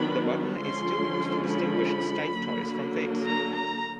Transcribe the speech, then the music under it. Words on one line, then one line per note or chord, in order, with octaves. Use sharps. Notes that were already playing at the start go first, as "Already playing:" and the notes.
The button is still used to distinguish Steiff toys from fakes.
Already playing: D#3 F#3 B3 D4 B5
D3 F3 G#3 C#4 C6
B5
D3 F#3 A#3
A#5
A#5